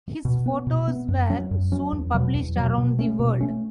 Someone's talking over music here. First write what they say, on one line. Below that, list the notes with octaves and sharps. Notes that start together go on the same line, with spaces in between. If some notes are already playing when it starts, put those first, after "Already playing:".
His photos were soon published around the world.
B2
B3
B2
B3
F#2
F#3 C#4
F#2
F#3 C#4
E2
B2 F#3
E2
B2 F#3
B2
A3 C#4
B2
A3 C#4